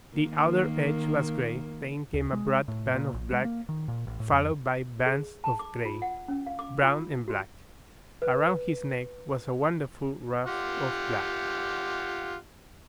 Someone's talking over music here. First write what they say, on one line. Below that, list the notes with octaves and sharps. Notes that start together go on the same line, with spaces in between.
The outer edge was gray, then came a broad band of black, followed by bands of gray, brown and black. Around his neck was a wonderful ruff of black.
D#3 A#3
D2
G#3
A2
A#2
A#1
G#3
A#3
D#3
A#2
A1
A2
F2
G#4
A5
D6
F4
F#5
C#4
F5
D6
F4
F#4
B4
F4 G4 F#5